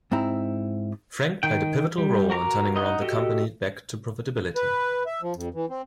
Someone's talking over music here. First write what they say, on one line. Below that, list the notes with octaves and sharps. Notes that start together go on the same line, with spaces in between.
Frank played a pivotal role in turning around the company back to profitability.
G#2 C4 E4 A#5
D#3 G5
G3
F#4 A#4 A#5 C#6 D6
D#4 D#5 F#5
F#4 G4 A4 D#5
B4
E5
F3
F2
E3
C4